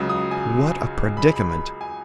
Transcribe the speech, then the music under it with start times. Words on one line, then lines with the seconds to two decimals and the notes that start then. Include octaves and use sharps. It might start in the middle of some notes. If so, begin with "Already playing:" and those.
What a predicament!
Already playing: C#2 C#3 F#3
0.09 D#6
0.31 G#5
1.17 B5
1.33 B5
1.49 B5
1.81 G#5